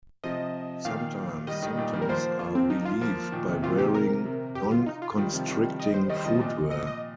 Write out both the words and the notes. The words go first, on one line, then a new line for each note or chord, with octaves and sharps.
Sometimes symptoms are relieved by wearing non-constricting footwear.
C3 F3 D#5
A#2 D#3 F5
D#3 G3 D#5
D#3 G3
A#2 D#3
D#3 G3
A#4
F3 A#3 C5
F4
C4
D#4
F4
F3 A#3
A#2 D#3
C3
A#2 D#3 F4
C3 G4
A#4
C3
G4
F4
D#4
F4
D#3 G3
C3 F3
D#3 G3
D#5
C5
D#3 G3 D#5
C5
C3 F3 D#5
A#2
D#5
D#5